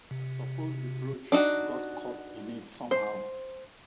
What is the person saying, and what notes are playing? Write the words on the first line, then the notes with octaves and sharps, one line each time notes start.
I suppose the brooch got caught in it somehow.
C3
D4 D#4 F#4
C5